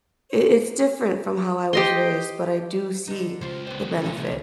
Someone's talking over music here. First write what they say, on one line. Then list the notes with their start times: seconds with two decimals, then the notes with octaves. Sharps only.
it it's different from how I was raised, but I do see the benefit
1.73 G4 D#5 C6
3.07 D3 D#4
3.41 C#2 F4 C5
3.67 D3 G3 B3 B4 C5
4.02 D3 D#3 F3 F#3 A#3
4.17 D#2 C#3 F3